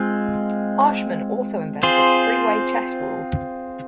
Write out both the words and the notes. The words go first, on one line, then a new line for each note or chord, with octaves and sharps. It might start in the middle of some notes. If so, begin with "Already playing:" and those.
Harshman also invented three-way chess rules.
Already playing: G#3 C4 F4
C4 F4 G#4 C5